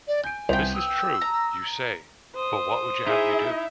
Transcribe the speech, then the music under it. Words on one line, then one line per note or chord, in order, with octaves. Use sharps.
This is true, you say, but what would you have me do?
D5
G#5 G6 D7
C2 B3 C5 G5 F7
D#6 E6
A#5
C5 D#6
D#4 E4 G#4 E5